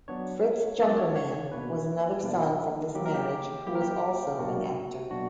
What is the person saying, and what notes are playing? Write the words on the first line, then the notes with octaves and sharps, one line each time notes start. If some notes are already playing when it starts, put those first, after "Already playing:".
Fritz Junkermann was another son from this marriage who was also an actor.
F#3 B3 D4 C#5
F#3 B3 D4 D5
C#5
C#5
C#5
B2 A#3 D4 B4
B2 A#3 D4
F#3 A#3 E4 G4
A#4
G4
F#3 A#3 E4 G4
A#4
G4
B2 F#3 A#3 D4 F#4
B2 F#3 A#3 D4 F#4